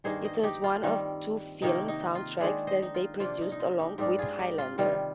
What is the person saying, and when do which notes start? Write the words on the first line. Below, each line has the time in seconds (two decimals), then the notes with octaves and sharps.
It was one of two film soundtracks that they produced along with "Highlander".
0.04 G2 D#3 A#3 D#4 G#4 C5
0.24 C5 D#5
0.43 D#4 G4
0.64 F4
0.83 D#3 G3 C4
1.62 C3 D#3 A#3 D#4
1.88 D#4
2.15 F4
2.41 D#3 G#3 D4 G#4 C5
2.67 C5 D#5
2.82 D#4
2.94 F4
3.20 C3 F3 A#3 D4 F4
3.41 D#4
3.52 D#4
3.59 F4
3.79 D#4 G4
3.98 G#2 G3 D4 G4 A#4
4.18 F4 G#4
4.38 D#4 G4
4.58 F4
4.78 C3 D#3 G3 F4